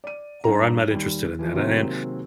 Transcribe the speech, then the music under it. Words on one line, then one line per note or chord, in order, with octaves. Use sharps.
or I'm not interested in that, a and
D5 D#7
G2 A#5
D#2 G3
E3 F3
C3 D#3 F#3 G#3 A#3 C4